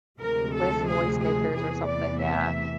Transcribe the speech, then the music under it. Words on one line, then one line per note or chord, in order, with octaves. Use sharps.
With noisemakers or something, yeah.
D2 C3 F3 G#3 A#4
A4
G#4
G#4
E2 C3 E3 A3 G#4
D5
E5